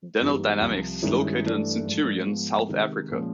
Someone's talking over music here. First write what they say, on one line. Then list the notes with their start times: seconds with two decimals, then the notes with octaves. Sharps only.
Denel Dynamics is located in Centurion, South Africa.
0.19 G2 E3 G3 B3 D#4
0.61 C2 C3 F3
1.02 G2 D#3 G#3 C#4 E4
1.44 G2 E3 A3 D4
1.85 G#2 F3 A3 D4
2.26 G#2 F3 G#3 B3
2.68 C3 D#3 G#3
3.10 A#2 F3 G#3 C#4